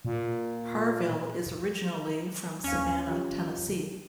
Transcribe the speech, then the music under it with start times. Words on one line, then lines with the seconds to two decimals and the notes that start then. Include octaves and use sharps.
Harville is originally from Savannah, Tennessee.
0.05 A#2
2.64 D#2 C#4 F5
3.07 E3 F4 G4